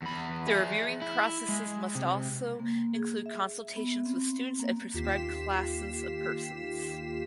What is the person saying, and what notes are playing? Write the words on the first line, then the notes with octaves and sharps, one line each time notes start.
The reviewing processes must also include consultations with students and prescribed classes of persons.
E2 B5
G#4 E5
E4
G#3
C3
A#3
G#4
E5
B3
C4
A#3
D#2 F4 G4 B6 C7 E7